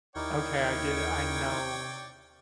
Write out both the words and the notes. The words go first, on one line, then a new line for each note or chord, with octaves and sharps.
"Okay, I get it, I know.
D#2 D#4 E4 A#4 C#5 D5 G5